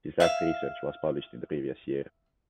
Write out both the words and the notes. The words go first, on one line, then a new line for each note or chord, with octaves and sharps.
His last research was published in the previous year.
E5 F5